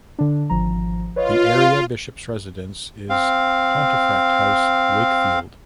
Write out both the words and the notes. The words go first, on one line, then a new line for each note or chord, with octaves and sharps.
The area bishop's residence is Pontefract House, Wakefield.
D3 D4
G#1 F3 A#5
F4 B4 C#5 D#5
C4 F5